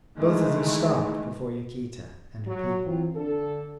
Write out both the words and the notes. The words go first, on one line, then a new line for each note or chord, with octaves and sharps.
Both of them stopped before Yaquita and her people.
D#3 E3 G#3 A3
F#3
E3 F#3 C4 F4
D3 A4